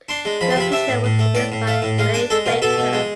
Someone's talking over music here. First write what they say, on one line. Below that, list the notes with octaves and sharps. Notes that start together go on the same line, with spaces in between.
The session was produced by Ray Baker.
D4 C6
G#3
F3 B5
C6
C3 B5
D4 E5
A2
A2
A3
A2 D5
A2
A3 F5
A2
G#3 F5
D4 G#5
G#3 A4
B2 F4
B2 A4
B2
G#3